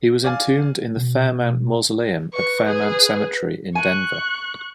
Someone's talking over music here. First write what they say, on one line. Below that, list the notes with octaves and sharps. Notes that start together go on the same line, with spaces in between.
He was entombed in the Fairmount Mausoleum at Fairmount Cemetery in Denver.
D5 F5 G#5
B2
B4 C#6
G#4
G#5 C#6 F#6